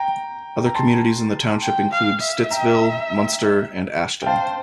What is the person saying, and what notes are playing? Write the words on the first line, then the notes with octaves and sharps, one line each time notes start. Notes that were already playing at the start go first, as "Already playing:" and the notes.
Other communities in the township include Stittsville, Munster, and Ashton.
Already playing: G5 A#5
A#5
A5 C6
G5
F5
E5
G5 A#5
G5
C5 F5 A5